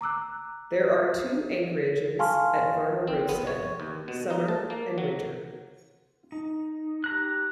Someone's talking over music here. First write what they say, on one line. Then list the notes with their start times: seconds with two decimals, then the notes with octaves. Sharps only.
There are two anchorages at Varna roadstead: summer and winter.
0.01 A#5 D6 E6 F#6
2.19 F5 G#5 A5 C6 C#6 F6
3.07 C4
3.29 B3
3.47 C#5
3.80 D#2
4.08 B2
4.30 D#4
4.48 A5
4.70 A#3
4.98 F#3
6.32 D#4
7.04 G4 A#5 F#6